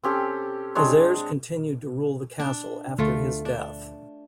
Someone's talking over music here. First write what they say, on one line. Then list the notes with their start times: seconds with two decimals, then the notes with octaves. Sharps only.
His heirs continued to rule the castle after his death.
0.04 C4 C#4 G4 A4
0.75 G#3 C4 D4 C#5
2.40 D4
2.98 D2 A3 F4
3.45 D4